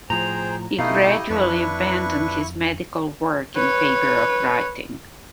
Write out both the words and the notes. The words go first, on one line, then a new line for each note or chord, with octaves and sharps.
He gradually abandoned his medical work in favour of writing.
A2 F3 G#4 C5 G5 A#5
B2 A3 D#4 E4 G4 D#5 F5
F2 D4 E4 B4 C#6
B4 C#5